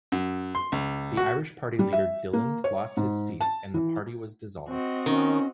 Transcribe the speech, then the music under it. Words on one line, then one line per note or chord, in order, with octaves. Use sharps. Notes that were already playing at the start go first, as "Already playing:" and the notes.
The Irish Party leader Dillon lost his seat and the party was dissolved.
F#2
C6
C#2
F#4
G3
E5
A#3
C#5
G#2
A5
E3
C4 F#4 D#5
D#3 C#4